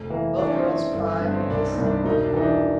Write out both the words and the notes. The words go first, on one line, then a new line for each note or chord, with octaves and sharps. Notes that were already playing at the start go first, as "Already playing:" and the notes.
Both girls cried and kissed and laughed.
Already playing: F1
E3 A#3
E3 D4
C#4
C4
E3 C#4
G1
G2 B3
C4
C#4
C2 D4
D#4
C2
D4
E1 D#4
D4
E3 D#4
D4